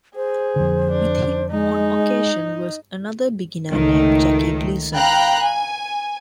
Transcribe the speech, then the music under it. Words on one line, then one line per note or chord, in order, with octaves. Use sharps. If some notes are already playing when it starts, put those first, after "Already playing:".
With him on occasion was another beginner named Jackie Gleason.
G#4 C5
F2 D3
D4
G#3 D#4
C#2 D#3 A3
F5 G5 A#5 B5 F#6
G#5